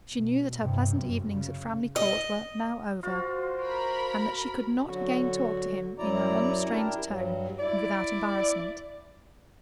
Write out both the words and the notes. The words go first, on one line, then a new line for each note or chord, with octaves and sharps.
She knew that her pleasant evenings at Framley Court were now over, and that she could not again talk to him in an unrestrained tone and without embarrassment.
B2
G2 C3
F#2
C#3
D#5
F4 F#4 C5
A#4 B5
D3 F#3 F#4
F#2 F#3 E4 D5 A#5
D4 E4 G4 A#4
G2 F#3
E4 D5